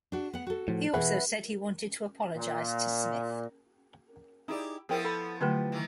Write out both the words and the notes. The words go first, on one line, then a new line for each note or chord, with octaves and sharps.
He also said he wanted to apologize to Smith.
D4 F#4
B3 F#5
F#4 A4
A2 F3
B2 E3 G#4 B4 E5 F#5
A#2
D#4 E4 G4 G#4 D5
F3 B3 E4 G#4 A#4 G5
A4 F#5 B5
D3 F#3 A3 F4 G4 B4
D#3 E3